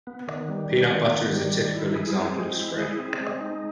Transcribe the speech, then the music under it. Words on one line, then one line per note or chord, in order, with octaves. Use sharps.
Peanut butter is a typical example of spread.
B3
D#3
G3
D#3
B3
D#3
G3
D#3
E4
G#4
C4
G#3
E4
G#4
C4
G#3
D#4